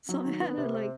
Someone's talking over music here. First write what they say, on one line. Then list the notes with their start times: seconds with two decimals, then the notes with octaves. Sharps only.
so I had to, like
0.09 F#3
0.25 D#3
0.41 B3
0.57 C3
0.74 C4